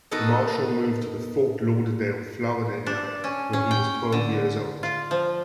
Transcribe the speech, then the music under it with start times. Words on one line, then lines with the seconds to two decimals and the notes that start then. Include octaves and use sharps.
Marshall moved to the Fort Lauderdale, Florida area when he was twelve years old.
0.11 B3 D#4 F#4 A4 A#4
2.86 D4
3.24 C#4
3.53 C#4
3.71 G5
4.12 D3
4.83 F4
5.11 F3